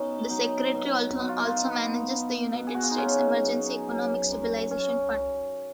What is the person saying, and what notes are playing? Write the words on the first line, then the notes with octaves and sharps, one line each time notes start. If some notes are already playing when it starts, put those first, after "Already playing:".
The Secretary also manages the United States Emergency Economic Stabilization fund.
Already playing: B2 C#4 D#4
F#3 D#4
B2
B2 F#4
F4
D#4
F4
B3
B3
B2
G#4
F#4
F4
D#4
F#3 C#4
F#2
F#3
F#2
C#4